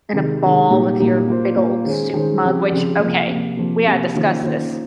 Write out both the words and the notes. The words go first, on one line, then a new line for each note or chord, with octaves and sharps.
in a ball with your big old soup mug, which okay, we gotta discuss this.
C3 D#3 G#3
C3 D#3 G#3
A#2 G3 A#3 D#4 G4
A#2 G3 A#3 D#4 G4
A#3 F4 C5
A#3 F4 C5
D#3 G#3 C#4 G#4 C5
D#3 G#3 C#4 G#4 C5
C#3 F3 C4 G4
C#3 F3 C4 G4
C3 F3 A#3
C3 F3 A#3
C3 F3 A#3
C3 F3 A#3
D#3 A#3 C#4 F4 C5
D#3 A#3 C#4 F4 C5